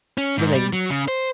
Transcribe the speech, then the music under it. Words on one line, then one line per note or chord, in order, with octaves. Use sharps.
when they
C#4
G#2
G3
F#3
C#3
C5